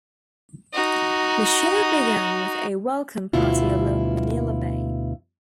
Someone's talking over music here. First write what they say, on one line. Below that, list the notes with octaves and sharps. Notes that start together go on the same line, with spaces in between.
The show began with a welcome party along Manila Bay.
D#4 F#4
D2 B2 E4 F4